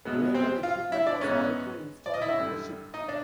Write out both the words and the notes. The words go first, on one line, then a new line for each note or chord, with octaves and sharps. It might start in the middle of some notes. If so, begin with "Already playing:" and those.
Radar equipment was also installed on the ship.
E2 B2 G#3 B3
C4 C5
F4 F5
E4 E5
D4 D5
G#2 E3 G#3 B3 C#4 C#5
D5
D#5
E4 E5
F#2 D3 G3
D#4 D#5
D4 D5